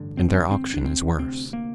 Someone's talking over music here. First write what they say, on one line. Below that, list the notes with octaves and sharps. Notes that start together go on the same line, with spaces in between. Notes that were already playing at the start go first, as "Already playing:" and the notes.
And their auction is worse.
Already playing: A1 G2 D3
C4
C4
D4
C4
D2 C3 C4
A#3